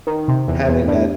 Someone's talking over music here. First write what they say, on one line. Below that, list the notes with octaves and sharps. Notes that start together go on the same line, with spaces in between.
having that
D#3
C3
E2
E2
G2